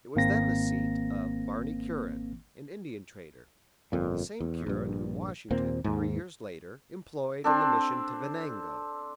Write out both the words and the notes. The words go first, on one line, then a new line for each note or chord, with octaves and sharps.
It was then the seat of Barney Curran, an Indian trader--the same Curran whom Washington, three years later, employed in the mission to Venango.
G#1 A#3 C4 A#6
G1 F2 A#2
E2
A#1 G2
D#2 A#2 A#3 C4
D#2 G#2
C4 D4 A4